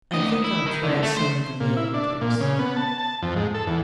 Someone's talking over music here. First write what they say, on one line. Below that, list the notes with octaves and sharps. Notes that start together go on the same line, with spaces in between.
"I think I'll try some of the managers."
D2 D#5
E4
D#3
C2 D3
A3
C5
A#2
E4
D4
A#2
C#3
B3
A5
A5
F2
G#2
A4
E2